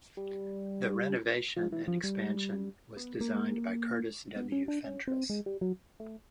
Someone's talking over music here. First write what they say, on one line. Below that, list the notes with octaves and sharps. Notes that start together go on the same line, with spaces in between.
The renovation and expansion was designed by Curtis W. Fentress.
G3
F3
E3
F3
G3
B3
A#3
B3
C#4
D4
C#4
C4
G#3
G3
F#3
A3